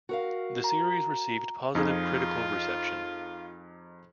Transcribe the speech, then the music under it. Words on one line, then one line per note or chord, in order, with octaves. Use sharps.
The series received positive critical reception.
F#4 A#4 F5
A#5
F2 D#4 F4 G#4